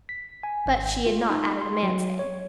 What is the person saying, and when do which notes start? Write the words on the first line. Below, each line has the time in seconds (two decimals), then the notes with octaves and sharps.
But she had not added the man's name.
0.09 B6
0.43 G#5
0.66 G#1
1.06 F4
1.30 D#4
1.62 C6
1.83 F#3
2.19 C#5